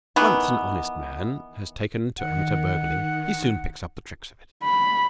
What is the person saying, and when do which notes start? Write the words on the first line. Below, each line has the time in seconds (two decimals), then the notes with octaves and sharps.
Once an honest man has taken to amateur burgling he soon picks up the tricks of it.
0.16 D#3 E3 B3
2.18 D#3 F#5
4.63 B5